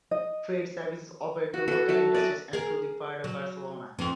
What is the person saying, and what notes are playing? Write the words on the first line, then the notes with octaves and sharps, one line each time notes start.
Freight services operate to local industries and to the Port of Barcelona.
D#5
F#4
F#4 A4
F#3 E5 A5
D5 D#5 G#5 A5
G#4 A#4
F#3
F2